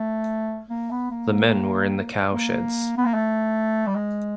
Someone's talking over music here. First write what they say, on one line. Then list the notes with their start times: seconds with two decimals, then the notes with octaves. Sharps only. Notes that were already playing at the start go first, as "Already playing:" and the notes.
The men were in the cowsheds.
Already playing: A3
0.70 A#3
0.90 B3
1.10 A#3
2.33 A#3
2.97 B3
3.05 A#3
3.14 A3
3.87 G3
3.95 G#3